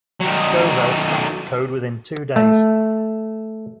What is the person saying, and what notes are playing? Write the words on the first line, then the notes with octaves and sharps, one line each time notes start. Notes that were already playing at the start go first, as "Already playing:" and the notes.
Scovell cracked the code within two days.
D#3 F#3
A3